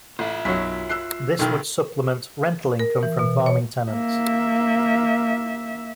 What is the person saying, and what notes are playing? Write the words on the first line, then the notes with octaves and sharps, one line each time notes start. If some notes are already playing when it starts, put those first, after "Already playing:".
This would supplement rental income from farming tenants.
A1 F4 E5
B1 F#2 F#3 B6
E6 F#6 C7
B1 B2 D#3 A#4 G5 F6
A#4
E3
B2
C#5
A#3 E5